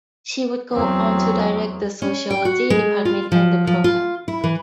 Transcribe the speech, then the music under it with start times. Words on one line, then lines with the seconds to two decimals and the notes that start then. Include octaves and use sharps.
She would go on to direct the sociology department and the program.
0.72 E2 F#3 C4
2.02 C#4
2.31 G5
2.45 F#4
2.70 G#3
3.05 F4
3.32 F3
3.67 F3
3.84 F4
4.28 E4
4.44 E3